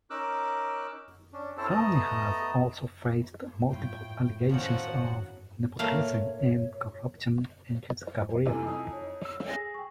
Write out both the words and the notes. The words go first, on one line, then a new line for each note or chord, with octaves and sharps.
Sarney has also faced multiple allegations of nepotism and corruption in his career.
C#4 D#4 A#4 D6 E6 F#6
C#4 D4
C4 C#4 E4 A4 C5 A5
A3 B3 D#5 A5 A#5 D#6
A2 F4 G5
D#3 F3 C#4 F#4 D5 F#5
A#2 A3 A#3 C#5 F5
F1 C3 E4 G#5
F2 D#4 D#6
C#5
E6
G#4 A#6
G5 C#6